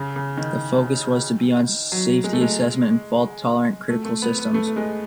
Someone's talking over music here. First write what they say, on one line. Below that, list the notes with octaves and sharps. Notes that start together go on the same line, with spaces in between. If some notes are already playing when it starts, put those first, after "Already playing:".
The focus was to be on safety assessment and fault-tolerant critical systems.
Already playing: C#3
C#3
D#3
F#3
G#3
A3
G#3
A3
A3
B3
B3
A3
A3
G#3